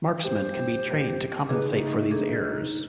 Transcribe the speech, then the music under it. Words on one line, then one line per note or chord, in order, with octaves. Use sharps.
Marksmen can be trained to compensate for these errors.
G4 C5
C#3 D#4 G#4 B4 D6
A3 D#4
D4 G#4 A4